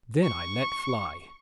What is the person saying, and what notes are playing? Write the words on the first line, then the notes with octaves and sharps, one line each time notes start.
Then I let fly....
C#6